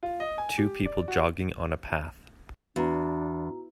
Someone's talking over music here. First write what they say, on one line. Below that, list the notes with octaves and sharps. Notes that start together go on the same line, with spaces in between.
Two people jogging on a path.
F4
D#5
G#5
G4
D5
F#4
E2 D4 F#4 A#5